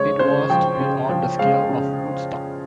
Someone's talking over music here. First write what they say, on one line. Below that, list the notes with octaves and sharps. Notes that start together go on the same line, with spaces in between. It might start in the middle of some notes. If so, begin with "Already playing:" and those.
It was to be on the scale of Woodstock.
Already playing: C#3 F3 G#3 C#5
C#3 C5
F3 G5
C#3
F3
G#3 F5
C#3